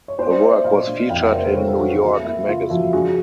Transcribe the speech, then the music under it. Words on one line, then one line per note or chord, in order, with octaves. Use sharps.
Her work was featured in "New York" magazine.
C#5
A#3 C5 D5
A#3 D5 E5
A#2 D#5 F5
D4
F2 F5 G5
E5 F#5
C#3 A#4 C5
A4 B4
C#3 B4 C#5
A4 B4
E3 F#4 G#4
E4 F#4
A#3 E4
A#3 E4
C#3 F4
F3 E4 F#4
D4 F#4 G#4